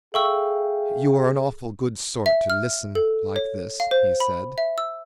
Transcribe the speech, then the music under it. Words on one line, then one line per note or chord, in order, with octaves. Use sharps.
"You are an awful good sort to listen like this," he said.
G#4 A4 E5 F5 G5 C#6 E6
E5
F6
A4
C#5
F5
C5
B5
E5
E6